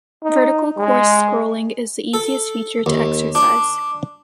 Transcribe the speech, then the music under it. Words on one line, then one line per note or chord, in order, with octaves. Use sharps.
Vertical coarse scrolling is the easiest feature to exercise.
D#4
G#3
A4
D#2
D4